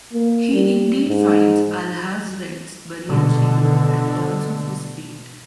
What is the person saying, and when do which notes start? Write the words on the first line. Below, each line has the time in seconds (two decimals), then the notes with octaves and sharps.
He indeed finds Alhazred's burial chamber and learns of his fate.
0.13 A#3
0.54 G3
1.08 G#2
3.09 B2 D3